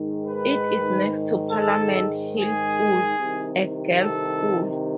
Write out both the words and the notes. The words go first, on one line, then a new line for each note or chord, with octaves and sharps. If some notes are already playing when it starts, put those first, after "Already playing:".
It is next to Parliament Hill School, a girls' school.
Already playing: G#2 D#3
B4
A4
G#4
C2 C3 D#3
A4